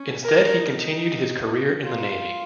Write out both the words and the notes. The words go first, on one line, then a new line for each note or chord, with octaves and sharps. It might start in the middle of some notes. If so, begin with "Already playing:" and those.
Instead he continued his career in the navy.
Already playing: C#4
A#4
D#4
F4